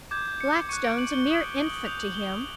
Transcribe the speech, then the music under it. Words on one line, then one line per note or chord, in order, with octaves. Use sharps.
Blackstone's a mere infant to him.
D6 G6 G#6
G6
C#7
C#6 F#6 C#7
D7
F#7
G7
D#6 F#6 F#7
D#6 G6 F7
F#7
G7